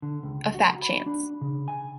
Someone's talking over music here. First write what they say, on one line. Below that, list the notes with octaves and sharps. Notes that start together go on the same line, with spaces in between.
A fat chance!
D3
C#2
F#4
B5
D4
C#3
G#5